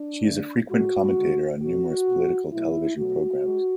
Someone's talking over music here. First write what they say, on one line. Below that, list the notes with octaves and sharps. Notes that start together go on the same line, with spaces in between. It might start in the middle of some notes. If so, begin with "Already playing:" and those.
She is a frequent commentator on numerous political television programs.
Already playing: D4
D3 A3
A2 G#3 F#4
D3 G#3
B2 F#3 A3 F#4
B2 A3
B2 F#3 A3 E4
B2 F#3 A3 F#4
G#3